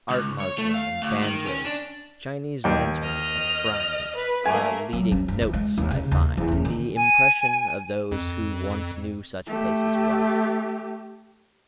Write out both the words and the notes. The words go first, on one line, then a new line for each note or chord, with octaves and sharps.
Art muslin and banjoes, Chinese lanterns and frying, are leading "notes," I find, in the impression of those who once knew such places well.
C#2
C#5
A3
F5
D2
D#3
C#4
D4
D#2 G5
D#5 F6
B4
A3 A#3 G#5
F#3
C#4
G2
E3
G#3
D#2
C#3
D#2
E2
C#4
D#3
G#5
F2
A3 G4